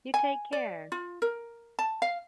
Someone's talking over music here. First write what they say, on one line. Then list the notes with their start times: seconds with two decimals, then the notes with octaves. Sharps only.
You take care.
0.14 G#5
0.53 D5
0.92 F4
1.22 A#4
1.79 A5
2.02 F5